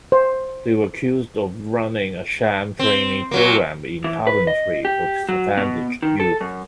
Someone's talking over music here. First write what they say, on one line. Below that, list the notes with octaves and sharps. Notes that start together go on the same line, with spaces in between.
They were accused of running a sham training program in carpentry for disadvantaged youth.
C5
C4
A#2 F#3 A#3
E3
B4
D#5
G4
F#3
B2
D#3
A4
F#2